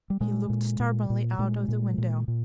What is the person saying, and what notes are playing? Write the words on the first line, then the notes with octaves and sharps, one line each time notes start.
He looked stubbornly out of the window.
G3
A#2 G#3
A#2
A#2
A#2
A#2 G#3
A#2
A#2
A#2